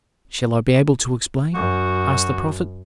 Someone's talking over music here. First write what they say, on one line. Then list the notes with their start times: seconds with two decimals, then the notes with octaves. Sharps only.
"Shall I be able to explain?" asked the prophet.
1.54 F#2 F#4